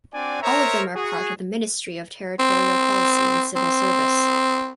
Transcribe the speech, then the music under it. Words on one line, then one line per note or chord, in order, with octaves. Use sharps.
All of them are part of the Ministry of Territorial Policy and Civil Service.
C4 D4 F#4 D5 G#5
A#4 C5 C#5 E5 A#5
F#4 G#4
C4
C4